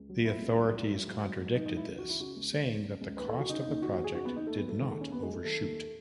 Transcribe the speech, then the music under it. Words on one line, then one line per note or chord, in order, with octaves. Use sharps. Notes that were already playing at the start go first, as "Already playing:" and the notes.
The authorities contradicted this, saying that the cost of the project did not overshoot.
Already playing: C#2
F#3
B2 E4
C#2
F#3
G#2
F#3
G#2
F#3
G#2
F#3 D#4
D#4
G#2
E4
C#2
F#4
E3
E4
C#3 F#4
C#2
C#2
E3
C#3
C#2
D#2 B4
A4
E3
F#4
C#3 D#4
D#4
D#2
D#4
D#2 F#4
F#4
E3
G#4
C#3 F#4
B3
D#2
D#4
D#2 A3
B3
F#3
A3
D#3 G#3
A3
D#2
C#4
D#2 B3
G#3
F#3
A3
D#3 A3
D#2